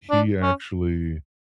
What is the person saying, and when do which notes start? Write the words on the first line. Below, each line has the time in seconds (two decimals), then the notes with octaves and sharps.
he actually
0.10 D4
0.42 C#4